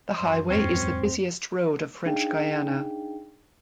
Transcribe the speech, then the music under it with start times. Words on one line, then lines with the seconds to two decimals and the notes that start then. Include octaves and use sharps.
The highway is the busiest road of French Guiana.
0.16 F#2 C5
0.50 E2 G#2 C4 C#4
2.06 D4 D#4 G#4 F5 G5